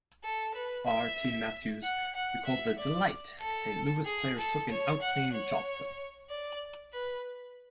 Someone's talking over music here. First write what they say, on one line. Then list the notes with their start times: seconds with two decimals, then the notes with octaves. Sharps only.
Artie Matthews recalled the "delight" the Saint Louis players took in outplaying Joplin.
0.24 A4
0.55 B4
0.87 E5
1.83 F#5
2.15 F#5
2.46 E5
2.79 D5
3.41 A4
4.06 G#4
4.38 A4
4.70 C#5
5.02 F#5
5.33 C#5
6.30 D5
6.92 B4